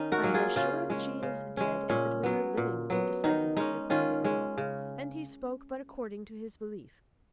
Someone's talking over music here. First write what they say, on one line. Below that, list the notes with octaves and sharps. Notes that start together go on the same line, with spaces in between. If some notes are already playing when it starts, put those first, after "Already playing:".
"I am as sure that she is dead as that we are living," decisively replied the earl: and he spoke but according to his belief.
Already playing: D#3 C#4 D#4
F#4 A#4
F#3 A#3 C#4
F4 G#4
C#3 C#4 F4
G#3 C#4
C#3
G#3 C#4
A#2 C#4
F#3 B3
A#2
F#3 B3
D#3 D#4
G#3 C#4 D#4
D#3 C#4 F4
G#3 C#4
C#3